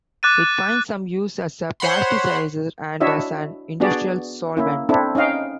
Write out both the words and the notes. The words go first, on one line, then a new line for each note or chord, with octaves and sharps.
It finds some use as a plasticizer and as an industrial solvent.
D6 F#6 A6 D#7
C5 C#5 F#5 B5 C6
D4 E4 F#4 C#5 D#5 E5
B3 D4 F#4 G#4 D5
A#3 C#4 E4
C4 D4 E4 A4
C#4 D#4 D#5 F5 G5